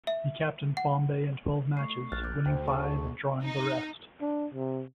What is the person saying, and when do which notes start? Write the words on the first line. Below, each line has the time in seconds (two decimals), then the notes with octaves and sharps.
He captained Bombay in twelve matches, winning five and drawing the rest.
0.07 E5
0.77 F#5
1.77 A3 C#6 C7
2.12 A#1 F6 F#6 A6
2.24 D6 G6
2.46 D2 C5 G5
2.66 G#4 A5 C#6
3.43 D#4
4.21 D4
4.54 C3